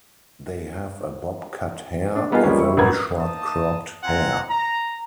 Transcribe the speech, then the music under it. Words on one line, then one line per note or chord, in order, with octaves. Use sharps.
They have a Bob cut hair or very short cropped hair.
D4
G3 A#3 B3 D#4 F4 G#4
F3 G3 G#3 A#3 C#4
G3 E4 C#6
E1 A1 F#4 A#4 B4 G#6
A#3 D#4 A5 D#6
C4 F4 F#5 G#5 A#5
A#5